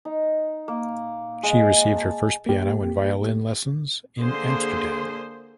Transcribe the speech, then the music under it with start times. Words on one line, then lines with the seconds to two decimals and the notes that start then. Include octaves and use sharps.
She received her first piano and violin lessons in Amsterdam.
0.05 D#4
0.68 A#3
1.43 G#3
1.96 A5
2.46 A#3 G4
4.20 D3 A#3 G#4 C5 C6